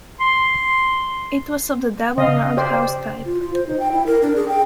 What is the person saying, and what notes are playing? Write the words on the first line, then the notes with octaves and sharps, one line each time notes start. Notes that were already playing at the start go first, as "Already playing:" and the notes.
It was of the double roundhouse type.
C6
C#3 D#5 F5
G4 C5 D5
F4
F4
C5
D#4
G5
E4
A#4
D4
G#4
G5